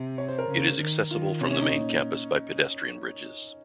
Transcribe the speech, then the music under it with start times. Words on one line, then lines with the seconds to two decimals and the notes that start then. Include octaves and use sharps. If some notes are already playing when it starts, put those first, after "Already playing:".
It is accessible from the main campus by pedestrian bridges.
Already playing: C3
0.18 C#5
0.28 C5
0.39 A#4
0.49 C#3
0.80 D#3
1.11 D#3 F4
1.41 C3 C#4
1.51 C#4
1.61 D#4
1.72 A#2